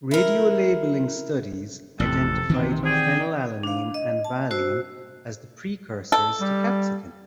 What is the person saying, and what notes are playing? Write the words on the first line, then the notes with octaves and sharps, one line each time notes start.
Radiolabeling studies identified phenylalanine and valine as the precursors to capsaicin.
E4 A#4
A1 F2 C3 A4
A#1 C3 D#3 E3 C4
F#4 G#4 D5 G5
D4 F5
D#5
A5
F#4 C5 E6
A4
G3